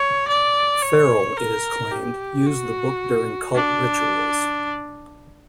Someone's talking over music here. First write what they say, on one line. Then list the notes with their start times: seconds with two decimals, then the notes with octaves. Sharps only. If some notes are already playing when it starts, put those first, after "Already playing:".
Ferrell, it is claimed, used the book during cult rituals.
Already playing: C#5
0.28 D5
0.82 C#5
1.37 A#4
1.91 G4
2.46 F#4
3.55 D4